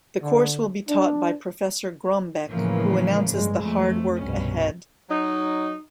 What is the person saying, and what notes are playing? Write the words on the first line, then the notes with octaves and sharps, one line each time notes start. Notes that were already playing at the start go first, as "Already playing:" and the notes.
The course will be taught by Professor Grombek, who announces the hard work ahead.
D3
D4
A2 C#3 E3 F3 A#3
G2 G#3
F2 A3
C2 G2 B2 C#4
F#3 D#4